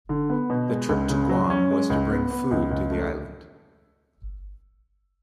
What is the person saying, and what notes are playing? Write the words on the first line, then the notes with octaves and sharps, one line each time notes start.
The trip to Guam was to bring food to the island.
D3
B3
B2
G#3
C#2
C#3
F#3
C#4
G#3
C#2
B3
B3
C#2
C#2
A3